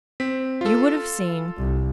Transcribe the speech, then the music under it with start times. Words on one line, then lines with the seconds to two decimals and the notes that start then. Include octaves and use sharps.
You would have seen!
0.20 C4 B6
0.61 F4 A4
1.58 C2